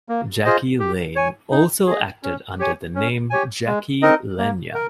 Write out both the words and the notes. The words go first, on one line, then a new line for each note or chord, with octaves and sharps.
Jackie Lane also acted under the name "Jackie Lenya".
A#3
F4 G#4 C5 D#5
G4
C#5 G#5
D#4
G#4 D#5
C#4
G4 C#5 G#5
C#4
G4 C#5 G#5
G#3
C4 D#4 A#4 D#5
A#3
A#4